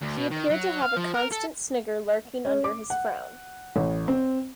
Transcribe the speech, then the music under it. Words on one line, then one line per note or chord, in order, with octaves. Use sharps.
He appeared to have a constant snigger lurking under his frown.
D2
B2
D#3
F#3
F5
F3
A#4
A4
C#4
D6
F#5
A1
C4